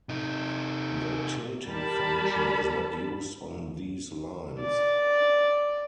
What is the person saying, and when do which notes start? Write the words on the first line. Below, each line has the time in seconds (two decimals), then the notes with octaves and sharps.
The tilting function is not used on these lines.
0.09 C3 D#4
1.68 G3 A#4 A5 B5
4.60 D5